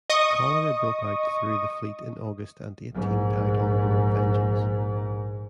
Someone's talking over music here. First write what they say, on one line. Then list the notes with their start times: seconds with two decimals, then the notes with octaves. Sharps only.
Cholera broke out through the fleet in August and eighteen died on board "Vengeance".
0.10 D#5 C#6 D#6
2.94 A#1 G#2